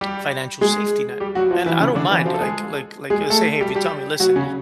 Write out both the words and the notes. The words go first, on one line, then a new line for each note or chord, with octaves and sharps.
financial safety net, and I don't mind, like like like just say, hey, if you tell me, "Listen,
G3 G4
G#3 G#4
G3 G4
F#3 F#4
F3 F4
E3 E4
C#3 C#4
D3 D4
E3 E4
F3 F4
A4
G#3 G#4
G#3 G#4
A3 A4
G3 G4
G3 G4
F#3 F#4
C#3 C#4